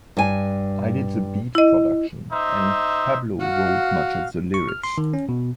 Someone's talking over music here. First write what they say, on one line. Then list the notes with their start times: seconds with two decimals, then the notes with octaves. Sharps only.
I did the beat production and Pablo wrote much of the lyrics.
0.17 G2 G#5
1.55 E4 D#5
2.32 D#4 C5 E5
3.40 F#4 F5
4.54 C#6
4.69 F6
4.84 C6
4.98 D#3
5.14 C#4
5.29 B2